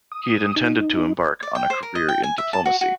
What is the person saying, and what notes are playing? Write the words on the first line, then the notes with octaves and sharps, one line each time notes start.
He had intended to embark on a career in diplomacy.
D#6
D#4
D5
G5
C5
A#4
D#5
G5
G#5
E5
A5
F#4
F#4